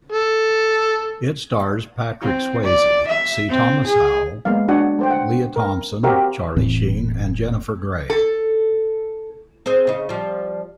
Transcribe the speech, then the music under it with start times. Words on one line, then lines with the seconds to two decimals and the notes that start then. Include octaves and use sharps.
It stars Patrick Swayze, C. Thomas Howell, Lea Thompson, Charlie Sheen, and Jennifer Grey.
0.12 A4
2.22 C4
2.64 D5
3.08 E5
3.49 C4
3.87 G#4
4.45 G#3 A#3 B3 F5
4.68 D4 F#4 D5 F#5 G#5
4.99 A3 C5 G5
5.11 F#5
5.56 A#4
6.03 C4 F#4 G4 A#4 E5 F5
6.57 E1 A2 E3 C4
8.10 A4
9.66 C4 G#4 C5
9.87 C#3 D#4
10.09 F3 G3